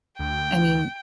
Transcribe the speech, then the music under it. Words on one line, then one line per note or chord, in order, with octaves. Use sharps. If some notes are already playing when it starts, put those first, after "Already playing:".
I mean,
D2 G5